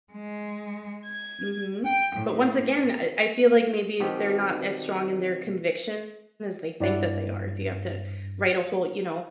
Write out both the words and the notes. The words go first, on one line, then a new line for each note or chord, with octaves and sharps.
Mhm. But once again, I I feel like maybe they're not as strong in their conviction as they think that they are. If you have to write a whole you know,
G#3
G#6
G5
A2
B2 D#3 B3 C4 G4
G2 E4 D5 F#5